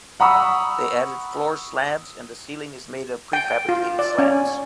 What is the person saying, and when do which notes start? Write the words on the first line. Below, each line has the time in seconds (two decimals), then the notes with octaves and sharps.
They added floor slabs and the ceiling is made up of prefabricated slabs.
0.20 F#5 A#5 B5 C#6 D#6 E6
3.33 G5
3.69 F4
3.99 D5
4.18 C#4